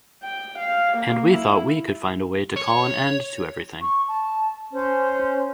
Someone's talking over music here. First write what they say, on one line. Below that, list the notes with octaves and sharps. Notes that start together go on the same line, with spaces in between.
And we thought we could find a way to call an end to everything.
G5
F5
A#3
E4
C#5
C#6
A5
C#4 C5